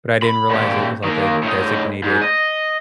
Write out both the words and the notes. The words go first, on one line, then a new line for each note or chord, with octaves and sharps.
but I didn't realize it was, like, a designated
B5
A#2 G4
D#3 A#3
A2 D#4
G#2
D#5